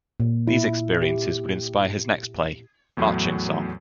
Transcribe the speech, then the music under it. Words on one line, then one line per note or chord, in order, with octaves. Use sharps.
These experiences would inspire his next play, "Marching Song".
A#2
E4
G4
E2 A2 F#3